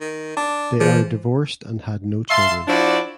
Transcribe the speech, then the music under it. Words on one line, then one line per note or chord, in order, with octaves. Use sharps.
They are divorced and had no children.
D#3
D4 A5
E3 F3 G#4 C5
E5 F5 A5 C6
F3 D4 E4 F#4 D5